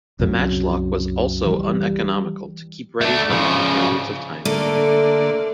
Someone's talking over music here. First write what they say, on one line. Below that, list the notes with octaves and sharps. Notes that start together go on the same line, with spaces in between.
The matchlock was also uneconomical to keep ready for long periods of time.
C2 F#2 C#3 F#3
E3 G3
A3 D4
C#3 F3
D3 A3 A#3 D5